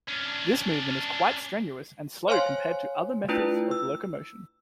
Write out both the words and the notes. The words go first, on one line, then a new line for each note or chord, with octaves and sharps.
This movement is quite strenuous and slow compared to other methods of locomotion.
C#4 D4
C5 C#5 F5 G#5 C6
A3 D4 E4 F4 B4
E6